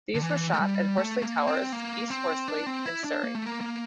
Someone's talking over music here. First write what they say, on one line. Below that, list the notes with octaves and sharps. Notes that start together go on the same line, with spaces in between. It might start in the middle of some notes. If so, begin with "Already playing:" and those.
These were shot at Horsley Towers, East Horsley in Surrey.
D3
E3
A3
G3
A3
A#3
C4
A#3
C4
D4
C4
E4
D4
A#3
A3
A#3
A#3